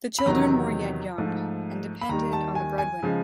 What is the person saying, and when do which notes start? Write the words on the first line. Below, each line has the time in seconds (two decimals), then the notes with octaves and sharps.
The children were yet young, and depended on the breadwinner.
0.19 B5
0.26 E2 C3 D#3 F#3 A#5
1.18 G#2 F3 A3
2.01 B5
2.09 D#2 D#3 G3 A#5
2.33 A5
2.55 G#5
2.78 G#5
3.03 C#3 F3 G#3